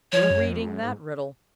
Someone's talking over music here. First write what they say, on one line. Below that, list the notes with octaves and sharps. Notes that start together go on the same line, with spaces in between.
No reading that riddle!...
F3 C#5
F#2
F2
F#2
G#2